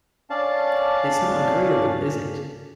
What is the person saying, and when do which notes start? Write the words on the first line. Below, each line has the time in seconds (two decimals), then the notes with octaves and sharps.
It's not agreeable, is it?
0.30 C#4 D4 D5 F5 A5